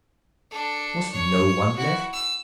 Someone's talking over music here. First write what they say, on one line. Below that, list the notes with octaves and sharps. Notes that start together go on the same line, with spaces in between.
Was no one left?
D4 A4
C#5
E4 F#4
E6